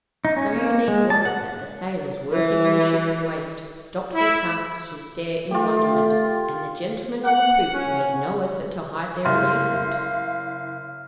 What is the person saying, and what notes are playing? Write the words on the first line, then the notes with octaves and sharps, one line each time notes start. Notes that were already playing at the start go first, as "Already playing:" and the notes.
So unique was it that the sailors working in the ship's waist stopped their tasks to stare in wonderment, and the gentlemen on the poop made no effort to hide their amusement.
D#4
C#4
A#3
G#3
A5
F#5
E3
E4
A3 F4 G4
F#5
C#4
F#1 E4 F5 C6 F6